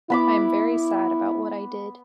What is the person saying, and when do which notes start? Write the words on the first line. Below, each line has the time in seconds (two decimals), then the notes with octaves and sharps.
I am very sad about what I did.
0.10 B3 E4 B5 D6